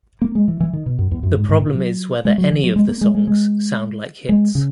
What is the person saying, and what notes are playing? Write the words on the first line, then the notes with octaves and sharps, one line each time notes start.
The problem is whether any of the songs sound like hits.
A#3
G#3
E3
E3
D#3
B2
F#2
E2
F#2
G#2
G#2
A#2
F#3
G#3
F#3
E3
F#3
G#3
A#3
G#3
G#3
G#3
G#3
C#3